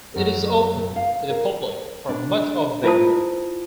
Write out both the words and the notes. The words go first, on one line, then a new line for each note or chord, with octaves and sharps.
It is open to the public for much of the year.
F#2
F5
A#4
D4
E4 F4 C5 A5 D#6